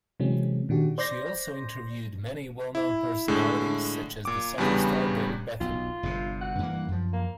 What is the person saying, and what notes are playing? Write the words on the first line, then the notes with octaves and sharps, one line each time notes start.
She also interviewed many well known personalities such as the soccer star David Beckham.
C3 E3 F#3 G#3 C4 C#4
A#2 D#3 D4 F#4 G4
C5 D5 C6 G6 A#6
E4
A2 D3 G#3
A#2 D6
E2 G2 C#3 G3 B3
B1 F4
G1 G2 C3
F#5
G2 E3 A#3
F#2 F3
A#3